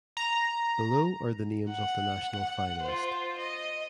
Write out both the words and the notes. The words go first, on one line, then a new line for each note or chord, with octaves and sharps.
Below are the names of the national finalist.
A#5
F#5
F4 C5
D#5